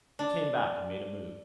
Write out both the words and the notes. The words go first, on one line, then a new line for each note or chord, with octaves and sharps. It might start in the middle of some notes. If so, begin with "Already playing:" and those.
He came back and made a move.
D4